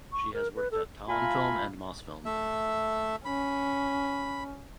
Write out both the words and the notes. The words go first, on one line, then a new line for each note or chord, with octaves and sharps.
She has worked at Tallinnfilm and Mosfilm.
C#6
A#4
B4
A4
A3 F4 F5 G#5 A#5 B5
A3 E5
C#4 B5